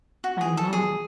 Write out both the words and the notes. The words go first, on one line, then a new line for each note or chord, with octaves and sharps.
I know.
F#4
G#4
A4
G#4